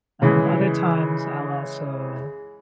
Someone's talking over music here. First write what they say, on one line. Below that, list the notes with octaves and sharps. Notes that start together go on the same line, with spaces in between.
Um, other times I'll also,
C#3 E3 G#3